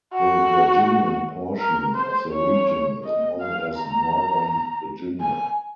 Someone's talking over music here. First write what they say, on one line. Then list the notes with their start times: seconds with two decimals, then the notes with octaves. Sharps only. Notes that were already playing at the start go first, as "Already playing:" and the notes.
The Virginian portion of the region is known as Northern Virginia.
0.14 F#4
1.58 A#4
1.94 C5
2.31 C#5
3.03 D#5
3.40 F5
3.76 A#5
5.20 G#5